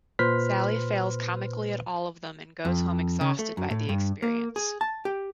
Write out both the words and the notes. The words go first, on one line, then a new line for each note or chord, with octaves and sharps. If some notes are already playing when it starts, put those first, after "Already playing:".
Sally fails comically at all of them and goes home exhausted by the experience.
A#2 B4 C5 C6 F6 B6
F2
C#3
A3
F#2
A2
G2
A#3
G#4
A5
G4